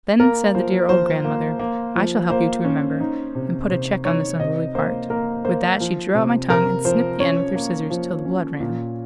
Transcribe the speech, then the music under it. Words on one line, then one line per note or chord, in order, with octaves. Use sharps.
Then said the dear old grandmother, 'I shall help you to remember, and put a check on this unruly part,' with that she drew out my tongue and snipped the end with her scissors till the blood ran.
A#3 A#4
F3 C5
F3 C5
A#3
A#3
F3
A#3 C5
C#4
D#4
C3
C3 C5
D#4 C#5
C3 D#5
A#3 C5
A#3 A#4
A#3 C5
F3
C3
C3 A#4
F3 C5
C#4 C#5
A#3
F3
C#4
A#2